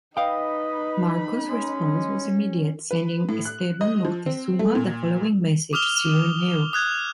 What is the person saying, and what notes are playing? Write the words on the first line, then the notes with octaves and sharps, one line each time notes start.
Marcos response was immediate, sending Esteban Moctezuma the following message: "See you in hell".
D#4 B4 D#5 F5 G5 B5
G#3 C#4
B4
A2
F#6
D#5
F3
C4
A3
A#2
D6 D#6 F6 F7 G7
D#6 F#6 G#6